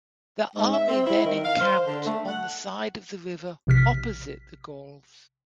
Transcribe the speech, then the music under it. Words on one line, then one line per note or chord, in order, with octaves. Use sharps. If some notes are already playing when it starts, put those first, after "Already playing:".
The army then encamped on the side of the river opposite the Gauls.
G#2
E5
C4
E4
D#3
F5
C5
D3
A3
F#5
A#1 C3 F6 B6